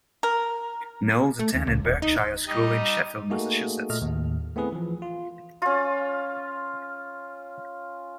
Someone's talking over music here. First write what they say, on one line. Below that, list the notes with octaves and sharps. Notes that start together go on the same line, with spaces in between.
Knowles attended Berkshire School in Sheffield, Massachusetts.
A#4
A3
D#2
C#2
D#1
D#4
G3 D#4 D#5
A3 A#3 D#4 F#4 G#4 A4
A#2 A3 D#5 F6
D#2 A2
A3 B3 C4 E4 G#4 B4
E3 F3
F4
C#4 F4